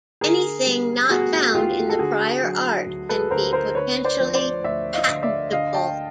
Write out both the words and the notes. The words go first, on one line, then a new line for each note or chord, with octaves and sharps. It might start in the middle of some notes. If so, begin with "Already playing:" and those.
Anything not found in the prior art can be potentially patentable.
D3 G#4 A#4
G3
B3 F#4 G#4
D#2 F4 G4
A4
D3 F#4 G#4
F#3
D2
A4 B4
D2 A#4 C5
A#4 C5
D3 B4 C#5
C5 D5
F3
C5 D5
D2 D5 E5
D#5 F5
D2
D5 E5
D3 D#5 F5
G5 A5